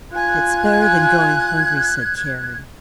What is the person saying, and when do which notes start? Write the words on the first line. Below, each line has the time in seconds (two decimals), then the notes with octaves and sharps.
"It's better than going hungry," said Carrie.
0.12 F4 G#5 F#6 G#6